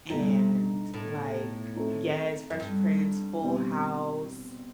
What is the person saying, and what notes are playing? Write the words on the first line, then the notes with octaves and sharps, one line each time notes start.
and, like Yes, Fresh Prince, Full House,
G2 B2 A3 D#4
A2
A3 C4 D#4
F#2
G2
B2 G3 C4